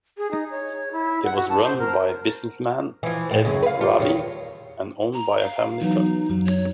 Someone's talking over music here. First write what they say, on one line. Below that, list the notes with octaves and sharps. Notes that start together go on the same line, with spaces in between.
It was run by businessman Ed Raabe and owned by a family trust.
G#4
D#4
C#5
E4
F#5
F#4
A5
C5
A#4
E3 F3
A2
F#2 C#3
B4 F5
G3 F4 A4
E2 D#3 C#5
A#5
F5
E3 F#3 B3 D#4
F#2 F#3
C#5